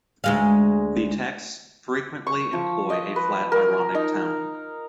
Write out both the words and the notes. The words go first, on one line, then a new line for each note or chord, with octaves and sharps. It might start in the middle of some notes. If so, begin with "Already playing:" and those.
The texts frequently employ a flat, ironic tone.
D2 G#3 F5
C#6
F3
D#5
B4
A#4
D#4